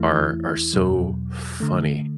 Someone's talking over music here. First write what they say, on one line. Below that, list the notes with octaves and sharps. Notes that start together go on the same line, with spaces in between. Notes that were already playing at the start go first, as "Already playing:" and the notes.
are are so funny
Already playing: E2 E3 A3 E4
E2 B2 F#3
D3 A3